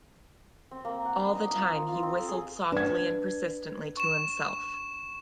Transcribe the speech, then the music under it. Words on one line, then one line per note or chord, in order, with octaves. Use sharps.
All the time he whistled softly and persistently to himself.
C4
A#3
F#5
D4
D#4
F4
F4
F4
C4
A4
G#4
D4 B4 G#6
C#6 E7